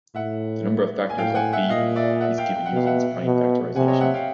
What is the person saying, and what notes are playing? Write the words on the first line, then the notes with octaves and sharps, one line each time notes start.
The number of factors of "b" is given using its prime factorization.
A2 E5 F#5
G#5
A2 F5 G5
G5
F#5 G#5
E5 F#5
A#2 D#5 F5
D5 E5
E5 F#5
F5 G5
G5
F#5
B2 F5
E5 F#5
B2
C3 F#5 G#5
C#5 D#5
E5 F#5
F5 G5